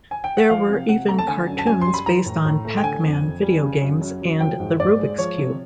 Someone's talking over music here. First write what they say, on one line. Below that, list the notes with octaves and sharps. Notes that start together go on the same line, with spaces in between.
There were even cartoons based on "Pac-Man" video games and "the Rubik's Cube".
G#5
G5
F#5
F3 F5
C3
C3 F#5
A3 A#5
A5
D3 G#5
F#2
A5
F#2 G#5
C6
G3
B5
E3 A#5
A2
A2
A3
G5
D3 G#5
F2
F2
G3
C#3
F#2
F#2
F#3
F3 G5
G#2
G#2 D5
G#3
F3 C#5
C3